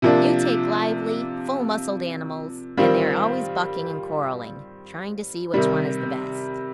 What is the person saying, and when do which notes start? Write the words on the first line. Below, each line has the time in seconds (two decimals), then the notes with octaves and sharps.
You take lively, full-muscled animals, and they are always bucking and quarreling--trying to see which one is the best.
0.02 C3 F3 A#3 D4
2.77 D#3 G3 C4 F4
5.54 C3 D#3 G3